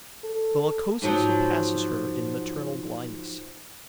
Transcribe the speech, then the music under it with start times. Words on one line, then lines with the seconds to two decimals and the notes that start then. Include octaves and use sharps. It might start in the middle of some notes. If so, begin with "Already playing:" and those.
The Lycosa surpasses her in maternal blindness.
0.24 A4
1.02 G#2 F3 F#3